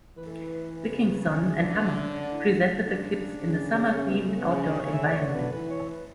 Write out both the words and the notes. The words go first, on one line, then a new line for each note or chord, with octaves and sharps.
Wikingsson and Hammar presented the clips in a summer-themed outdoor environment.
E3 B4
A4
B4
C#3
D5
C#5
D5
E5
D3 D5
B4
G#4
C#4
C#4
D4
E4
D4
C#3
D4
C#3
D4
C#4
B3
G#3
A3
B3
C#3 C#4
D4
C#3 C#5
E5
D5
D3 C#5
B4
E3 B4
C#5
B4